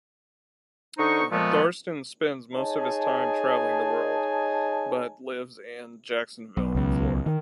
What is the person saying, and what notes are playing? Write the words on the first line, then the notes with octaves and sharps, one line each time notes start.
Thorsten spends most of his time traveling the world, but lives in Jacksonville, Florida.
D3 D#4 C5 D#5 C#6
A#2 F3 G#3 A3 B3
D#4 G#4 C#5 D#5 G#5 A5
B1
C#2
D#3